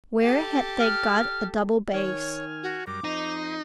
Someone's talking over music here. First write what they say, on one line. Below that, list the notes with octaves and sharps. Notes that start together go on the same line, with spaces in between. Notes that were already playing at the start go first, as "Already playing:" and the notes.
Where had they got a double bass?
G4 A4
F6
D#3 C#5 G#5 F6
F#4
F#2 G3 A#4 D6
F2 D#4 C5 D#5